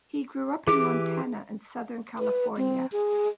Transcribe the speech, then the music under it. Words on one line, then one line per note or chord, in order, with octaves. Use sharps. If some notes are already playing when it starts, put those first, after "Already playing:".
He grew up in Montana and southern California.
E3 G4 G#4 D6
B4
C4
G#4